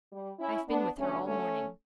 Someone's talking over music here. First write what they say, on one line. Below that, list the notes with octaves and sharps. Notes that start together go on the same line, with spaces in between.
I've been with her all morning.'
G3
C#4 E4
B3 D4
G2 D3 F#3 A3 C#4
A3 C#4